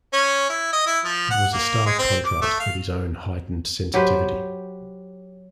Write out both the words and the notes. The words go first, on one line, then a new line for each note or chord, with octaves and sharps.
It was a stark contrast with his own heightened sensitivity.
C#4
E4
D#5
E4
F3
F#5
A#3
G#3
C4
D6
A3
F5
F#3 G4 B4 C5